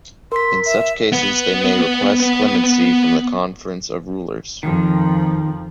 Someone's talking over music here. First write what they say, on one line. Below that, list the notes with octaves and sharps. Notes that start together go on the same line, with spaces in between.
In such case, they may request clemency from the Conference of Rulers.
A#4 C6 B6
E5
B3 B4
F2 D#3 F3